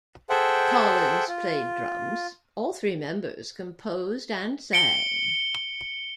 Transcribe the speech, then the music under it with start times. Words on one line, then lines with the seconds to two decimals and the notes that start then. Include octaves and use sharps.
Collins played drums; all three members composed and sang.
0.30 G#4 A4 C5 E5 F#5 G5
1.28 F4
4.73 C#7 D7 G7